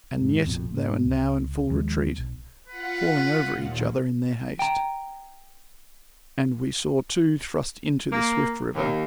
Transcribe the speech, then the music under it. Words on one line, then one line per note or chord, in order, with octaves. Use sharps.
And yet they were now in full retreat, falling over each other in their haste, and we saw two thrust into the swift river.
F2 G#2
F1 A#1 F2 B2
G#2 A#3
C#2
D#2 F3 G#3
B1
F4 B4 F#5
D#2 A#2
G5 A#5
A#3
D#2